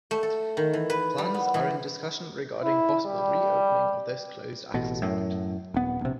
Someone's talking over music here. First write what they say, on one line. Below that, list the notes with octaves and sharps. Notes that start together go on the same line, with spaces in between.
Plans are in discussion regarding possible re-opening of this closed access point.
A3
A4
D#3
E3
B4
G3
B3
E3
E4
G3
A1 B2
F#2 A2
D#1 B3
A#1 C3